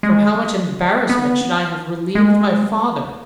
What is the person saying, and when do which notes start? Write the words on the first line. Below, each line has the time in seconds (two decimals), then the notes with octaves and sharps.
From how much embarrassment should I have relieved my father!
0.03 G#3
1.09 B3
2.15 G#3